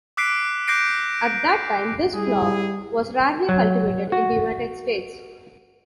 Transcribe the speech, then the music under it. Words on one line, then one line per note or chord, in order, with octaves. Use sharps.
At that time this flower was rarely cultivated in the United States.
D6 E6 F#6 B6 C7 D7
D6 F#6 G6 A#6 C7 D7
G3 E4 G#4
F#3
F#4